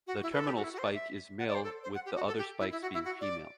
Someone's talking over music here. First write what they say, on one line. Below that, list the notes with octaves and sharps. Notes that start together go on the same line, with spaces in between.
The terminal spike is male with the other spikes being female.
F#4
E4
B4
A4
G4
F#4
E4
F#4
C5
D5
E5
F#5
D5
C5
A4
C5
F#5
G4
F#4
A4
G4
E4
E4
F#4
E4
F#4
D5